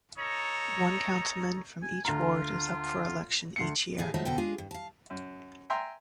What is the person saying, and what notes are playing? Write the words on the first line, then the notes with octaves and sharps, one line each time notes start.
One councilman from each ward is up for election each year.
D#4 A4 C#5 A#5
G#5
D2 F4 A#5
D2 C7 C#7
A2 G#4 F5
F3 F#3 G#3 A3 D#4 A5
D2 B2 D3 A4 G5
G#3 D4 F4 G#4
G2
F5 A5
F#2
E5 G5 G#5 A#5 C6